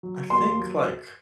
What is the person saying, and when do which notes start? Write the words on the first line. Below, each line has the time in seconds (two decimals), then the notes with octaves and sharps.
I think, like,
0.03 F#3
0.30 D#2 C6
0.59 F#3